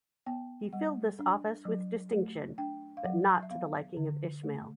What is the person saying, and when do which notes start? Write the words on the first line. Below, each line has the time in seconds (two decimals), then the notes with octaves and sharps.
He filled this office with distinction, but not to the liking of Ismail.
0.26 B3 G5
0.73 G3 F#5
1.19 D4
1.65 F#3
2.11 A3
2.58 D4 G5
2.97 F5
3.04 F#3 F#5
3.43 E5
3.51 B3 F5
3.97 D3
4.43 A3